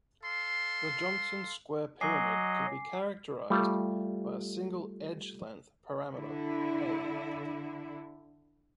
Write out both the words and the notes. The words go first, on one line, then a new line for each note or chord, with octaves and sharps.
The Johnson square pyramid can be characterized by a single edge-length parameter "a".
A4 F5 C6
F#3 D#5 G#5 D6 C7
G3 A3 F4
D3 E4